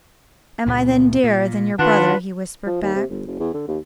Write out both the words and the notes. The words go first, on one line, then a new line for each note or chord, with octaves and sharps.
"Am I then dearer than your brother?" he whispered back.
C#2 A#2 B3
A#2
D#3 D4 F4 B4 F#5
F3
D#2
C3
G1
F#1
E2
D3
D#2